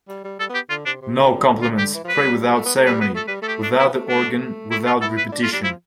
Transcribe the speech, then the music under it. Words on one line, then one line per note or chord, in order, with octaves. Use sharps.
No compliments, pray without ceremony, without the organ, without repetition.
G3
G3
G3 A4
B3
G4
D3 F4
C3 D4
C3
D3
F4
G4
E3
F3 B4
G3
A3
B3
A3
G3 B4
B3 B4
A3 A4
G3 B4
A3 A4
G4
D4
B3 E4
A3
D4
A3 E4
F4
E4 A4
B4
E4
D4
A3 F4
G3 D4
F3 E4